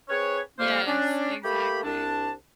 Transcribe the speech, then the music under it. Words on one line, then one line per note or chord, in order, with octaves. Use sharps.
Yes, exactly.
C4 G#4 B4 C#5
F2 G3 A#3 C5 F5
C#4 D4
A3 A#3 G4 G5 B5
C2 D4 A5